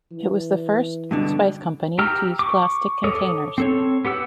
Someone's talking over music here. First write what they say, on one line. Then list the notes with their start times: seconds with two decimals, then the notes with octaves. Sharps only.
It was the first spice company to use plastic containers.
0.12 E3
1.11 G2 B2 D3
1.99 G4 G5 A#5 E6 F6
2.39 C#6 D6
3.04 A4 C#5 D6 D#6
3.58 C4 A4 C#5
4.05 B3 G4 F#5 E6